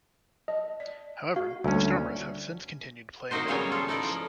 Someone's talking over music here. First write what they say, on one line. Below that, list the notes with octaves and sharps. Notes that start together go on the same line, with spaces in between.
However, the Stormers have since continued playing at Newlands.
D#5 A5
D5
F#4 F5
D2 G3 A#3 C#4
D#3 A#3 C4 D#4 F#4 C5
C#3 F#3 G3 B3 G#4 C#5
F4 A4
D#4 E4 A4 B4 D5
F3